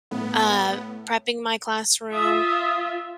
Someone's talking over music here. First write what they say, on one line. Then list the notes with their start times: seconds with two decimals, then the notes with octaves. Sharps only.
uh, prepping my classroom,
0.11 A2 B3
2.12 F4 E5 D#6